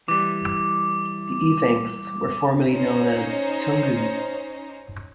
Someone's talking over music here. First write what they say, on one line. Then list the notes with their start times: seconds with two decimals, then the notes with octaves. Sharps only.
The Evenks were formerly known as "tungus".
0.08 E3 G3 D6
2.69 C#4 D#4 C5